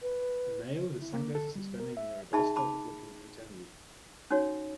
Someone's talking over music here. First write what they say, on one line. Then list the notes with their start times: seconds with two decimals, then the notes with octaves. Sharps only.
A male with sunglasses is standing near a bus stop looking intently.
0.02 B4
1.02 E4
1.14 A#3
1.35 A4
1.55 G3
1.80 A#4
1.97 E5
2.33 D#4 G#4 E5 A5 B5
2.56 A5 B5 D6
4.30 C#4 D#4 F#4 C#5